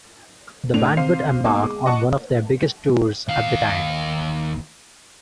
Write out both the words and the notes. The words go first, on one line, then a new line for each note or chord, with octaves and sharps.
The band would embark on one of their biggest tours at the time.
A2 D4 F7
C3 C5 F5 C7
B2 A#3 D#4 D6
G#3
D#5 F#5 A5 C#6
D#2 F5